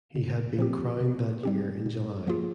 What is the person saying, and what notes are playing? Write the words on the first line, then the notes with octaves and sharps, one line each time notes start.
He had been crowned that year in July.
C#3
F3 C4 G4
C3
G3 C4 G4
A#2
F3 A#3 F4 G#4